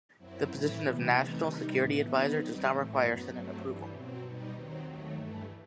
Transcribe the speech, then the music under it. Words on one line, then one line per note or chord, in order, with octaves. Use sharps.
The position of National Security Advisor does not require Senate approval.
F#2 F#3 C4 E4
A2 E3 A3 E4
C3 E3 G3 B3
C3 E3 A3 D#4
C3 D#3 G3 D#4
A2 E3 B3
D#2 D#3 F#3 B3 D#4
D#2 D#3 G3 C4
A2 E3 A3
F#2 F#3 B3
G2 F#3 A3 C4
G2 E3 G3
B2 F#3 C4
B2 G3 D#4
D#2 D#3 F#3 C4
D#2 D#3 F#3 A3
G2 E3 A3